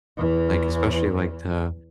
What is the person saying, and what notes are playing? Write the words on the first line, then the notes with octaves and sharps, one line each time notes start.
Like, especially like the
E2 E3